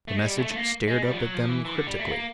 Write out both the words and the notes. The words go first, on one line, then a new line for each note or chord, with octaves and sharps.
The message stared up at them cryptically.
A3
G#3
G3
G#3
A3
A3
A#3
G#3
G3
F3
F#3
F3
E3
E3
D3
G3
A3
B3
A#3